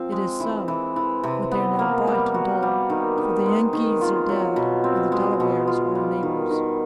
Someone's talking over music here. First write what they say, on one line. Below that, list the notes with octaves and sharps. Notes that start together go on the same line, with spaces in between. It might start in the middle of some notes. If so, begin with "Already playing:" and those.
"It is so; but they are now bright and dull; for the Yengeese are dead, and the Delawares are our neighbors."
Already playing: F3 C4
G#3
E3
E3
E3
C3
B3
A#3
G3
F#4
G3
D#3
D#3
G#3
D#3
F4
F#3
B2
C4
G#3
B2
F4
G3
D#3
D#3